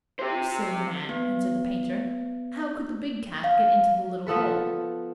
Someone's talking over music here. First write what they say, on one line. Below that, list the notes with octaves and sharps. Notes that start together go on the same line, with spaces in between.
"You silly man," answered the painter, "how could the big Cat get into the little hole?"
G4 C5
B3
F5
F3 B3 A4 B4